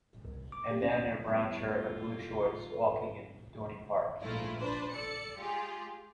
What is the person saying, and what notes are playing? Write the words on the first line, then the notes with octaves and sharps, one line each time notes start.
A man in a brown shirt and blue shorts walking in Droney Park.
C2
D6
G4
C#4
G3 B3 E4 A5
A3 F4
A4 B4 C#5
A#1 G#2 A3 E4 F4
D4 B4 C5
A4 D5 C#7
G#3 F4 G4 G#4